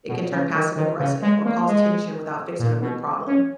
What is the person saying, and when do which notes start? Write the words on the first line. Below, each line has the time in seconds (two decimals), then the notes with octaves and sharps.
it can turn passive aggressive or cause tension without fixing the root problem.
0.08 B2
0.31 C#3
0.54 D#3
0.76 D#3
0.99 C#3
1.22 G#3
1.45 A#3
1.67 G#3
2.59 A#2
2.81 B2
3.27 C#4